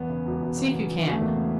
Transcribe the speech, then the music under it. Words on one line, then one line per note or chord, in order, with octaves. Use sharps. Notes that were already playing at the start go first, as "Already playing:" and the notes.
"See if you can."
Already playing: E2 B3
C#3
E1
E1
E2
C#3
E1
E1
A3
E2 A#3
C#3